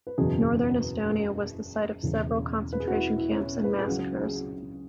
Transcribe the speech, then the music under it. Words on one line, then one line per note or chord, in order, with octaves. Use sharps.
Northern Estonia was the site of several concentration camps and massacres.
B4
F#1 E2 B2 F#3 G#4
B4
G#4
E1 E2 C#3
B4
G#4
F#4
E4
E4
C#4
E4
B4
G#4
C#2 C#3 F#3 F#4
G#4
F#4